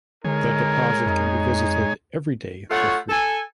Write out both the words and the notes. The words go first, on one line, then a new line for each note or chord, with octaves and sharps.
The deposit can be visited every day for free.
D3 G#3 D#4 A#4 C#5 G#5
F2 D#4
A3 F4 C#5 F#5
A4 G#5